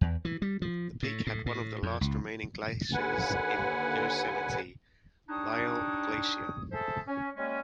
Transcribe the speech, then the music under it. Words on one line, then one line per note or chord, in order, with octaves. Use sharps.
The peak had one of the last remaining glaciers in Yosemite, Lyell Glacier.
E2
E3
G3
F3
A2
A2
A2
F2
C#2
D#2 D3 B4 F#5 G#5
G3 D4 D#4 C#5 D#6
G#4 A4 C5 E5 A5
C#4
G3 G#3 A#3 C#4